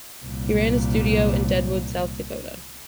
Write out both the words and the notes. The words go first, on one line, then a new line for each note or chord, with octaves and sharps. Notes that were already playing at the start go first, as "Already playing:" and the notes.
He ran a studio in Deadwood, South Dakota.
C2 A#2